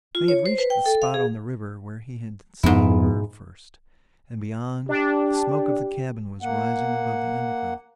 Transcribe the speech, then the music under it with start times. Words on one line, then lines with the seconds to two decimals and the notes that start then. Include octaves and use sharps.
They had reached the spot on the river where he had seen her first, and beyond, the smoke of the cabin was rising above the undergrowth.
0.15 F4
0.28 C#5
0.46 C5
0.58 B4
0.70 G5
0.86 A4
1.02 F5
1.14 G#4
2.63 F2 G#2 B3 E4
4.89 D4 G4
6.42 A#3 F#5